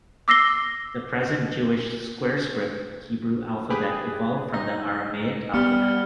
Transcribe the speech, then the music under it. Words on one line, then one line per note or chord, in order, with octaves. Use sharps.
The present Jewish "square-script" Hebrew alphabet evolved from the Aramaic alphabet.
D6 E6 A#6 C7 G7
G4 G#4 B4
D#4 A#6
G3 B3 F6 C#7